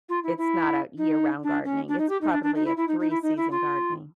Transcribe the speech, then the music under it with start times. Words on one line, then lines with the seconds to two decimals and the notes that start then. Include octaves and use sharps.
it's not a year round gardening. It's probably a three-season gardening.
0.09 F4
0.23 E4
0.37 E4
0.97 D#4
1.43 D4
1.64 C#4
1.88 D4
1.98 D#4
2.09 G4
2.21 D#4
2.32 D4
2.43 D4
2.55 D#4
2.65 E4
2.77 E4
2.88 D#4
2.99 D#4
3.10 E4
3.22 D#4
3.37 E4
3.51 F4